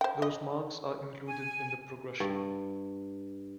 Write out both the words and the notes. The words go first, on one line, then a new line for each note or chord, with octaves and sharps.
Those marks are included in the progression.
C5 G5
D#5
G#5
G2